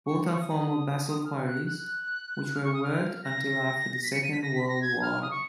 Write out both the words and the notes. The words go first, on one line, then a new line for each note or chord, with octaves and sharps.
Both are former basalt quarries, which were worked until after the Second World War.
C#6
D#6
C#6
D#6
F6
F#6
F#6
F#6
F6
C#6
D#6
F6
A#6
B6
C#7
D#7
B6
A#6
B6
A#6
G#6
F6
D#6
C#6